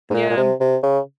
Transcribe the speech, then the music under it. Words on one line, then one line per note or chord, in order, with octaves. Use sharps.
Yeah, um
G#2
A#2
A#2
C3
C3
C#3